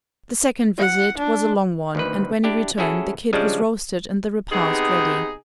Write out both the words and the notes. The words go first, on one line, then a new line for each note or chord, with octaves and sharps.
The second visit was a long one, and when he returned the kid was roasted and the repast ready.
F#5
D4
D2 D#3 B4
D4 E4 G4
C#4 E4 F#4 G#4 A4
C#3 F3 G3 G#3 D4
C3 B3 D#4 G#4